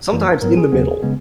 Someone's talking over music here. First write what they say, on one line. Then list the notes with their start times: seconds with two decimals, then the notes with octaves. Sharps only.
sometimes in the middle,
0.12 F#2 E3 A#3
0.42 G#2 F#3 B3 A#4
0.57 G#4
0.72 D#2 C#3 F#3 B3
1.03 C#3 G#3 B3